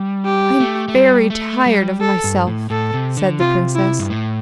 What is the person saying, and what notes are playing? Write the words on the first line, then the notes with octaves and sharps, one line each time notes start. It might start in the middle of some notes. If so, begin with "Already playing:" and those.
"I am very tired of myself," said the princess.
Already playing: G3
G4
A3
A3
G3
A3
G3
A4
G2
A2
A2 A4
C3
D3
C3 F4
E4
G2
A2